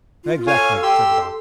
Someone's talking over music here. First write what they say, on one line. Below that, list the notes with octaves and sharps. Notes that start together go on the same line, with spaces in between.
"Exactly," said the Baron.
F4
A4 C#5 F5 G#5
G4 C6 E6